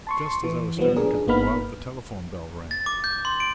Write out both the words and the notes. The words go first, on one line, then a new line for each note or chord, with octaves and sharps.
Just as I was starting to go out the telephone bell rang.
A5 C6 C#6
E3
D#3 F3 G3 B3
D4 G#4 A#4
D4
G1 A#3 B3 D#4 B5 F6
A6
D6
G6
C6
D7